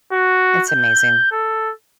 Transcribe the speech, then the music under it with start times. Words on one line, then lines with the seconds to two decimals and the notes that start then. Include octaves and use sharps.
It's amazing.
0.12 F#4
0.70 G6
1.31 A4